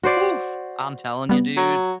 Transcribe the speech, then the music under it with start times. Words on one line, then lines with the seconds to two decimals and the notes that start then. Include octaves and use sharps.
Oof! I'm telling you, dude,
0.03 F#4 C5 D5
1.29 G3 B3
1.57 F#3